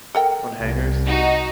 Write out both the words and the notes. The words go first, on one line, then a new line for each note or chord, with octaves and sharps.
On hangers?
A4 A#4 G5
C2
D#4 F#4